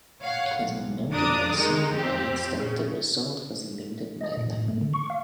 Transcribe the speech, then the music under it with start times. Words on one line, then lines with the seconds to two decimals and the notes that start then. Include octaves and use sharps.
It has been noted by some guides that the resort has limited night life.
0.21 C#5 F5 F#5
0.57 B1
1.12 F2 D4 A#5 D6 D#6
1.55 D#3 G#3 D#4
1.94 F2 C4 G4
2.57 A#2 C#3
4.21 D#5
4.37 A#2
4.52 A2
4.68 A3
4.81 D3
4.93 C#6
5.10 F5